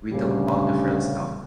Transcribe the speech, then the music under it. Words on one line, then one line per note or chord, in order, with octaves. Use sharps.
We took all the frills out.
D2 A#2 C#3 G3 G4